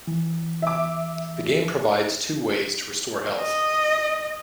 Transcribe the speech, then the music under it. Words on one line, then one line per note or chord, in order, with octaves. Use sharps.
The game provides two ways to restore health.
E3
E5 D6
D#5